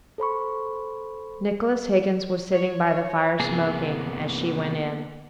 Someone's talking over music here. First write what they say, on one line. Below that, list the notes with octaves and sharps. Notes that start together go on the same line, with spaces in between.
Nicholas Higgins was sitting by the fire smoking, as she went in.
A4 C5 B5 C#6
C#5
C3 E3 A#3 B3 G#4